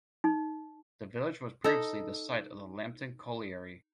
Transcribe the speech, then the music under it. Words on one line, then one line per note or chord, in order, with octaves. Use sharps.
The village was previously the site of the Lambton Colliery.
D#4
D#4 A4